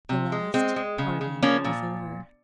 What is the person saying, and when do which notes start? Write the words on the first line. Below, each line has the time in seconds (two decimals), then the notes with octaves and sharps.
The last parting is over.
0.09 C3
0.32 G#3
0.54 G#3 C4
0.76 G#3
0.98 C#3
1.21 C#3
1.42 F3 A#3 C#4
1.64 A#2